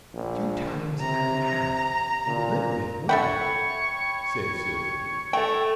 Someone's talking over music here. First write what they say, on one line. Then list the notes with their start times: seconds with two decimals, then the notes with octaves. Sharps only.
"Two times and a half, and a little bit more," said Sylvie.
0.14 A#1
1.00 C3 A#5
2.27 A#2
3.09 A4 C#5 E5 F#5 G5 B5 C#6
5.33 A3 A4 G5